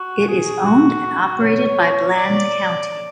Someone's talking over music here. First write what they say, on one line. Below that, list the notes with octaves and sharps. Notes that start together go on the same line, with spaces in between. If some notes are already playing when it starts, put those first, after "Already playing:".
It is owned and operated by Bland County.
Already playing: F#4
G#4
F#4
C#5
D5